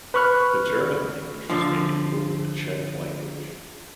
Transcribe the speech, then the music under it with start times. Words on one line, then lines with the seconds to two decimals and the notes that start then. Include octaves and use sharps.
The German language was made equal to the Czech language.
0.14 B4 B5 C#6 F6 F#6
1.50 D3 F3